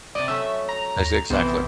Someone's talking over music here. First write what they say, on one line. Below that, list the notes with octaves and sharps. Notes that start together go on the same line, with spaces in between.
Ex exactly.
C3 D5 D#5
F#3 A3 C#4 E5
A#5
D#2
A#1 C3 E3 B3 C4